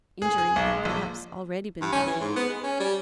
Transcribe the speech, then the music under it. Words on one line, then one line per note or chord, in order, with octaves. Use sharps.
Injury had perhaps already been done.
G#4
G#4
B1
G#3
A#1
G2
C#4
E3
G#2
B3
G#3
C#4
G3